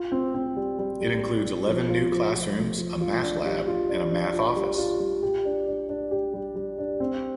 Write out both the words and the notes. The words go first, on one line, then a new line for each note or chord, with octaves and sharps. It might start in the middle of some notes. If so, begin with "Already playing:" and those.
It includes eleven new classrooms, a math lab, and a math office.
Already playing: F4
C4
C4
G3
G3
G3
G3
G3
F3
F4
F3
F3
A3
F3
F4
D4
G3
F4
D4
D4
F4
G3
F4
G3
G4
D4
D4
D4
G4
G3
G3
D4
C4